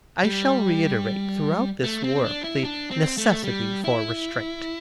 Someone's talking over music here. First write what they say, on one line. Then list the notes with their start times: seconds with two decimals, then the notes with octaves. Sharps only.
I shall reiterate throughout this work the necessity for restraint.
0.24 G3
1.83 A3
2.04 C4
2.24 D4
2.44 E4
2.64 D4
2.91 C4
3.18 A3
3.44 G3
3.84 E4